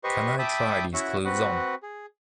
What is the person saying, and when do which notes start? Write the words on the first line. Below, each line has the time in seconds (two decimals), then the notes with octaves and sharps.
Can I try these clothes on?
0.04 G4 B4 C5 D#5 C#6
0.39 E5 G5 A5 B5 D6 D#6
0.94 C#4 E4 F#4 E5 F#5
1.25 C4 F#4 B4 F#5
1.83 G#4